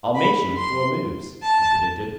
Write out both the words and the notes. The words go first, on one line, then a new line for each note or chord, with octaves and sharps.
"I'll mate you in four moves," he predicted.
B5
C6
A5